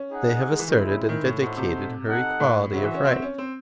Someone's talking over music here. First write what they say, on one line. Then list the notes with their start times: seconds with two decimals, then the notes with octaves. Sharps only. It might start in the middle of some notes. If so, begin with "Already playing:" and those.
They have asserted and vindicated her equality of right.
Already playing: C#4
0.10 D#4 G#4 D#5 F#5
0.51 G#3
0.59 E3
0.68 D#3
0.76 C#3 G#3 C4 E4
0.92 C#3
1.09 D#3
1.25 A2
1.41 A2 A3 D#4 F#4 A4 C5
1.57 C3
2.07 D#4 A4 D#5 F#5
2.40 A2
2.72 C#3 F#4 C5 E5
2.83 E3
2.94 C#4
3.05 C4
3.16 C4
3.22 C#4
3.38 C4